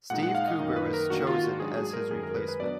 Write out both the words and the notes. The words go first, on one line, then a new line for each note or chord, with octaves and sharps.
Steve Cooper was chosen as his replacement.
A#2 G#3 D#4 F#5
F#5
F5
D#5
F#2 D#3 A#3 D#4
B4
A#4
D#3 A#3 D4 F#4
F4
F#4
G#2 F#3 D4 G#4
G#4
A#4
F#2 D#3 G#3 D#4 G#4
A#4
B4
B4
F#3 B3 D4 D5